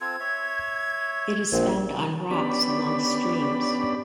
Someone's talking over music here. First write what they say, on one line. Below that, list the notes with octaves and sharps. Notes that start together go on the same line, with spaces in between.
It is found on rocks along streams.
C4 F4 A4 G#6
C#5 E5
A#1 C4
B3 C#4 D4 G4 D5 B5